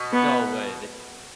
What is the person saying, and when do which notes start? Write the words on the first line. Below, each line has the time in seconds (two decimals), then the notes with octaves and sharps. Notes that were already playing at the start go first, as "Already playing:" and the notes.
No way, they
Already playing: B2
0.12 B3